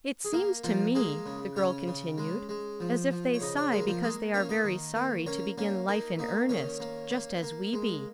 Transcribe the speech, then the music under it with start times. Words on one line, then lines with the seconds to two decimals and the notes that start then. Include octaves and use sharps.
"It seems to me," the girl continued, "as if they sigh because they are very sorry to begin life in earnest--just as we be."
0.25 G#4
0.33 A#3 A#4
0.64 F3 A#3 F4
0.95 G#3 A#3 G#4
1.26 C#3
1.56 C#3 C#4 C#5
1.87 C#3
2.18 G#3
2.49 G#3
2.80 F3
3.11 F3
3.34 C#5
3.41 C#3 D#4 D#5
3.57 C#4 C#5
3.72 G#3 A#3 G#4
3.87 F3 F4
4.03 G#3 A#3 G#4
4.34 A#3 C#4 C#5
4.49 D#4 D#5
4.64 D#3
4.95 A#3
5.26 A#3 C#4 C#5
5.58 A#3 C#4
5.88 A#3 D#4
6.19 A#3 D#4
6.49 D#3 C#4 C#5
6.80 A#3
7.11 A#3
7.42 A#3
7.73 G#3